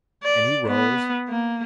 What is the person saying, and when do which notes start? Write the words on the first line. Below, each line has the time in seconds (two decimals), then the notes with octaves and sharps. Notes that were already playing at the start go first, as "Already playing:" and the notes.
And he rose.
0.24 D5
0.67 B3
1.28 A#3